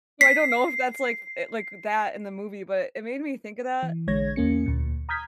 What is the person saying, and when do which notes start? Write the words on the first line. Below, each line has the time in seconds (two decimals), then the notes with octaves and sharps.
So I don't know if that's, like, f if, like, that in the movie, but it made me think of that.
0.21 B6 C7
3.83 E3
4.07 A#1 D3 G#3 C#5 G#6 A#6
4.36 E2 A#3 C#4 C#7
4.66 D2 A#2
5.09 A#5 D#6 F6 G6 G#6 B6